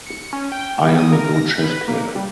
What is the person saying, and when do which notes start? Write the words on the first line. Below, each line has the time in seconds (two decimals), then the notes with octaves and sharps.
I am a good chess player.
0.07 C#7
0.33 C#4
0.52 G5
0.83 G3
0.98 D#6
1.13 A#4
1.34 A#6
1.58 B5
1.70 B4
1.88 A#3
2.16 G3